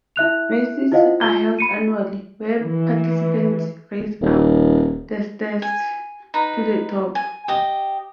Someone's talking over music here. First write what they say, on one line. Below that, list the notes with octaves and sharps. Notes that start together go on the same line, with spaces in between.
Races are held annually, where participants race up the stairs to the top.
E4 E5 F#6 F7
E4 F4 C5 D#5 F5 F#5
F4 G7
B5 C#7 D#7
E3
D#1
G#5
D#4 B4
G#5
G4 D#5